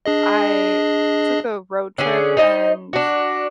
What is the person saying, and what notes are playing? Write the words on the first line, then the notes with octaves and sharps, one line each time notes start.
I took a road trip and
D4 G#4 D#5
D3 C#4 G#4
D#4 C5 D#5
D4 F#4